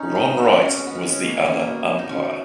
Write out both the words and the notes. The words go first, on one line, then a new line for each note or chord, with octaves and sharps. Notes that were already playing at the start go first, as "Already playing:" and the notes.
Ron Wright was the other umpire.
Already playing: C#4 D#4
B3
B3 F#4
C#4
B3
C#4
B3
G#3 C#4
B3
C#4
B3
C#4
A#3 B3
C#4
B3
C#4
B3
B2
D#4
B2 C#4